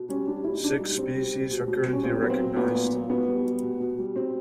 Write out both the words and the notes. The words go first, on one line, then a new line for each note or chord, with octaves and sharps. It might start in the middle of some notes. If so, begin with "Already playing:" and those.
Six species are currently recognized.
Already playing: B2
G3 C#4
G3 D4
B2 E4
D#4
B2 D4
D#4
G3
B2 C4
G3
G3
B2
B2
G3
C#4
A#2 C4
F#3 B3
C4
F#3
A#2 B3
A#2
F#3
B2 B3
G3
G3
B2
B2
G3
B2 C4